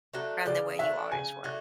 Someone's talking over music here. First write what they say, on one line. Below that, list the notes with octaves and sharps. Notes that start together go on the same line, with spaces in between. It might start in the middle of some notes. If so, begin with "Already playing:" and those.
from the way you always were.
F#3 A3 D4
C#3 D5
F#3 A3 D4 E5
C#3 G#5
F#3 A3 D4